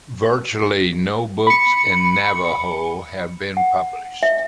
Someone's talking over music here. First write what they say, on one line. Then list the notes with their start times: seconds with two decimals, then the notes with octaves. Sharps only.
Virtually no books in Navajo had been published.
1.47 B5 C#7
3.57 F#5
4.23 E5